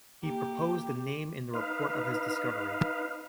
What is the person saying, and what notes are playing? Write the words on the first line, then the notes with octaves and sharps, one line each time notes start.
He proposed the name in the report of his discovery.
A#3 G4 D6
D#4 B4 F5